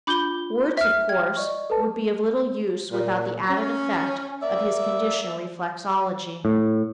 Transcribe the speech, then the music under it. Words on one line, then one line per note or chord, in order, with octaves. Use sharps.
Words, of course, would be of little use without the added effect of his conditioned reflexology.
D4 F4 B5 D6 G6 G7
E5 F6
G5 F6 G#6
D5 D#5 C#6
A4 B4 A5
A#2
C#4
A#3 D5 E5
A2